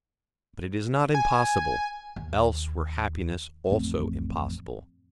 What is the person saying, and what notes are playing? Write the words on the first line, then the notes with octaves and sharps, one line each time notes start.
But it is not impossible: else were happiness also impossible.
G#5
D#2
A1 F2 A3 C4